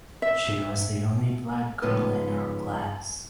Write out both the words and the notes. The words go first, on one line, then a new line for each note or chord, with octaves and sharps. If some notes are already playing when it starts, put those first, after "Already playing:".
She was the only black girl in her class.
E5
C#3 F3 G#3 B3 D#4 B4